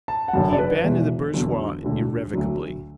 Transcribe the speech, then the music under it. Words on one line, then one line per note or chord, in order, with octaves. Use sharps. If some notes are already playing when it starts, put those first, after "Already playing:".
He abandoned the bourgeoise irrevocably.
A5
F#5
F#1 F#2 D3 F#3 A5
D5
B4
E1 E2 E3
E2 D3 F#3
E1 D2 D3
D2 D3 F#3